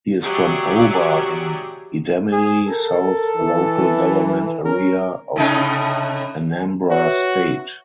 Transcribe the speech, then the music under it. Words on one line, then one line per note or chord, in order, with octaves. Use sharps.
He is from Oba in Idemili South Local Government Area of Anambra State.
F#3 G4 G#4 D5 E5 F#5
G#4
A4 A#4
E3
C#4 A#4
A2 C3 D#4
F#4 B4 C#5 E5